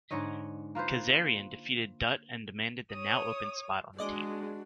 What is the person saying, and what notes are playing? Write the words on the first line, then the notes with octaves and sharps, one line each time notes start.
Kazarian defeated Dutt and demanded the now-open spot on the team.
G#2 D3 C#5 D#5
A#3 F4 B4 C5
C#5 D#6
G#3 D4 F#4 D5 D#5 D6